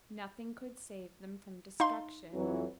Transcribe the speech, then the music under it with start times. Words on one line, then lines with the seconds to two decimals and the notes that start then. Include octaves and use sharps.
Nothing could save them from destruction.
1.80 D#4 F5 C6
2.33 F2 E3 F#3